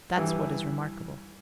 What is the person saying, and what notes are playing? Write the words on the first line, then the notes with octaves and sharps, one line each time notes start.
That's what is remarkable.
G2 E3